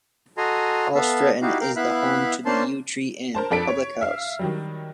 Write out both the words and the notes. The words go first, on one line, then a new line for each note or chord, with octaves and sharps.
All Stretton is the home to the "Yew Tree Inn" public house.
F#4 A4 D#5 G#5 A#5 C6
B3 A4 E5 F5
D#4 E4 F#4 G4 F5
A#4 F5 G5
B3 E4 E5 F5 B5 F#6
A#3 C#4 D4 C5 A5 C6
A#4 C5 A5
F2 D4 A4 B6 D7
C#5
E5 F5
D#3 F#3 G3